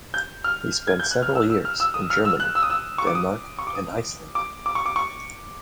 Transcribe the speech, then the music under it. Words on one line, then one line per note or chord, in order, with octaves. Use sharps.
He spent several years in Germany, Denmark and Iceland.
G6
F6
G#6
G6
F#6
F6
E6
E6
F6
E6
D#6
F6
E6
F#6
E6
D#6
E6
C#6
D6
D#6
C#6
D6
D#6
D6
D6
C#6
D6
C#6